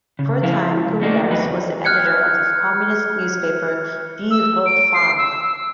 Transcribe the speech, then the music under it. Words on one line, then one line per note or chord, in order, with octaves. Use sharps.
For a time, Gumperz was the editor of the Communist newspaper "Die Rote Fahne".
C#3
F3 E4 G#4 E5 F5
C#2
A3 A#3 D#4 F#4 G#4 D5
E2 F#3 D#4 B4
F6 F#6 G#6 C#7
E6
D7
C7
E6
E6